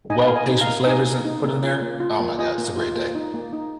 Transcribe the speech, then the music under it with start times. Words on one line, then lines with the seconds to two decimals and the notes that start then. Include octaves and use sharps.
well patient flavors in put in there. Oh my god, it's a great day.
0.10 D#4 D#5 G#5
0.25 A#3 F5
0.36 D#5 G#5
0.49 D#4
0.61 F5 A#5
0.67 A#3
0.87 D#4 D#5 G#5
1.06 A#3
1.25 D#4
1.44 A#3
1.62 F4
1.82 A#3
2.00 F4
2.20 A#3
2.39 F4 D#5 G#5
2.58 A#3
2.77 F4
2.96 A#3
3.15 D#4
3.34 A#3
3.53 D#4